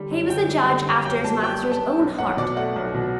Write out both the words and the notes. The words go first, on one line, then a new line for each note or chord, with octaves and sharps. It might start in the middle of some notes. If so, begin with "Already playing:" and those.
He was a judge after his master's own heart.
Already playing: D3 G3
F#2
D3 G5
G3
D3
D3 G5
F#2 G5
G3 A5
G3 G5
B3
A5
B3
B1
B1 F#5
B2 D5
A3 F#5
B1
B2